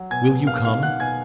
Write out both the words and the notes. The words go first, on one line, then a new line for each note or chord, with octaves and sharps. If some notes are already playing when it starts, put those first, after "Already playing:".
Will you come?
Already playing: F#3
B2 G#5 G#6
B2
A#3 F5 F6
D#4 F5 F6
D#4 F#5 F#6
B2 G#5 G#6